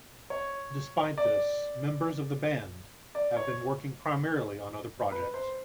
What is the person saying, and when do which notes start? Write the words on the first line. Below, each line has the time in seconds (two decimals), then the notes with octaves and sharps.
Despite this, members of the band have been working primarily on other projects.
0.30 C#5
1.18 D5
3.15 D5
3.37 C#5
5.12 B4
5.34 C5